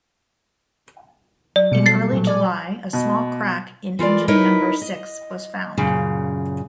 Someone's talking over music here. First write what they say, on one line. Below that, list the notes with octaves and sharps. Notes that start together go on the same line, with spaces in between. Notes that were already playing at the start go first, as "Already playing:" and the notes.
In early July, a small crack in engine number six was found.
F#3 D5
B2 G3 C#7
A4 A6 C7
A#2 F#3
D5 G#5
B2
E3 F4 A#4 D5
D#4 E4 A#4 B4 C#5 D#5
D#5
F#2 A#2 C#3